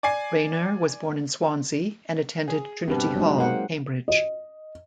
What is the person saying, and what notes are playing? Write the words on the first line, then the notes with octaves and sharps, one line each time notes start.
Raynor was born in Swansea and attended Trinity Hall, Cambridge.
D5 G#5 C7
G#4
G2 B2 C4 G4 B4
F#3 G#3 D#4
G#3 A#3 C4 F#5
D#5